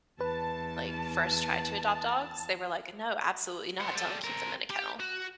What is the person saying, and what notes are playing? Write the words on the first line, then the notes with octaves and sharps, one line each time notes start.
like, first tried to adopt dogs, they were, like, "No, absolutely not, don't keep them in a kennel,
E2 B4 A5
C4 F#5
G3 A4
C4 A#4
G4
F#4